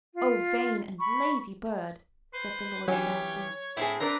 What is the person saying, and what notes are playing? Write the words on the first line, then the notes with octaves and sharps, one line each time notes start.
"Oh, vain and lazy bird!" said the Lord sadly.
F4
B5 C#6
B4 C5
E3 F#3 C#4 G4 C#5
A2 C4 E4 G#4
C4 D4 A#4 B4 A#5